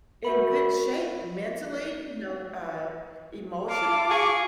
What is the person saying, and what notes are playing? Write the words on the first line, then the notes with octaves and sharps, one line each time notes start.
in good shape mentally, you know, uh, emotionally.
F#4 A#4 E5 B5
F5 A5 D6
G#4 F5 C#6